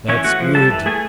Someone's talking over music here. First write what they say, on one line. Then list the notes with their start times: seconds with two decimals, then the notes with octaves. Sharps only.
That's good!
0.09 E3 C#4 C#5
0.24 A3 F#4 F#5
0.40 F3
0.55 G3 A4 A5
0.71 E3
0.86 A3 G#4 G#5